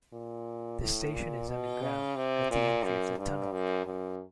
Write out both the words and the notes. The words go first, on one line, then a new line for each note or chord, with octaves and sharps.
The station is underground, at the entry of the tunnel.
A#2
A2
A#2
B2
C#3
C3
A#2
F#2
G2
F#2
F#2